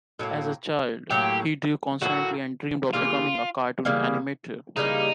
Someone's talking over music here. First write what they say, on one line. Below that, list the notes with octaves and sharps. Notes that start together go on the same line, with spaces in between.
As a child, he drew constantly and dreamed of becoming a cartoon animator.
A2 F#3 A#3
A2 F#3 A#3 G4
A2 F#3 A#3 F#4
C#3 E3 G3 A#3 F4
C#3 E3 G3 A#3
C#3 E3 G3 A#3 D#4